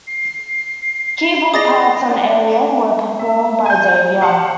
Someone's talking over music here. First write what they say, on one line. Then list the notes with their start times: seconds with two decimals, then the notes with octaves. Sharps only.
Keyboard parts on "Alien" were performed by Dave Young.
0.07 C7
1.54 G#4 D5 D#5 D#6 A6 A#6
2.10 D4
3.19 E5
3.66 G#5 G6
4.21 G4 F5 F#5 A5